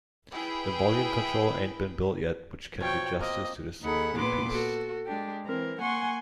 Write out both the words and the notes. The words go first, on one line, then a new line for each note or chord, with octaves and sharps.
The volume control ain't been built yet which can do justice to this three-piece!
E4 G#4 B4 G5
B2 F3 C#5 G5
A#3 C4 D#5
D#2 D#4 G#4 A4 F#5 B5
A#2 B3 B4 C6 D6
F#4 A4
G#3 D4 G4
E3 C4 A#4
A#3 F#5 G#5 C6 C#6